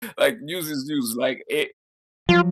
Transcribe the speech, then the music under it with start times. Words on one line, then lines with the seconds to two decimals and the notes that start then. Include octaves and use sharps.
Like, news is news, like, it
2.29 F3 F#3 F4